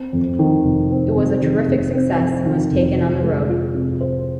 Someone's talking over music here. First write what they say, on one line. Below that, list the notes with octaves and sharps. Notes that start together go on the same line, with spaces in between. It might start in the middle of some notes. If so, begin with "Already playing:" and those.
It was a terrific success and was taken on the road.
Already playing: C4
F2
D#3
F1
C4
F2
D#3
F1
C4
F2
D#3
F1
C5
G#3
F4
C3
C5